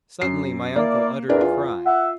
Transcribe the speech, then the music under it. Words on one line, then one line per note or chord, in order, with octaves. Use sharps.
Suddenly my uncle uttered a cry.
F#2 C7
A#3 E4 A#4 D5
E2 D4 A#4 D5
F4
E5 F#5